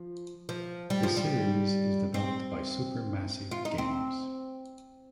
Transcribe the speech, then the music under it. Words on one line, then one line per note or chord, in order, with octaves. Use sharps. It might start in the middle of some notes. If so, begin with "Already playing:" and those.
The series is developed by Supermassive Games.
Already playing: F3
F3
G3
F3
G3
C4
F4
D#4
C4